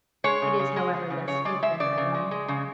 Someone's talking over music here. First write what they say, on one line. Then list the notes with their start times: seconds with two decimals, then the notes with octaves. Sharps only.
It is, however, less steep than Mayon.
0.24 G#3 C#5
0.42 C#3
0.59 C#3
0.76 G#3
0.94 G#3
1.10 C#3
1.28 C#3 C#5
1.45 G#3 D5
1.62 G#3 E5
1.80 C#3 D5
1.98 C#3
2.14 G#3
2.31 G#3
2.48 C#3